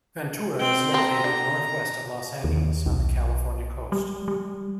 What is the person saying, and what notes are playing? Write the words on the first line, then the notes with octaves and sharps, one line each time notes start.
Ventura is located northwest of Los Angeles on the California coast.
C4 G5
A3 C4 A#5
D3
D#2
B1
G3
G3